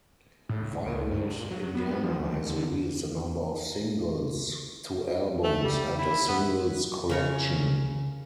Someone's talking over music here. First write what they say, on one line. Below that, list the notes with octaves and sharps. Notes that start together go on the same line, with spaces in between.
Violet Indiana has released a number of singles, two albums and a singles collection.
A2
C#2
G2
A#2
F#3
B3
F3
D#2
D3
A3
G3
E4
B3
C#3 A#4 C#6